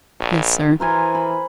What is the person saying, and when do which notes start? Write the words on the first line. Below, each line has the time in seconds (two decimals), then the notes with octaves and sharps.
"Yes, sir."
0.20 A#1
0.80 E3 A#4 C5 G#5
1.15 B5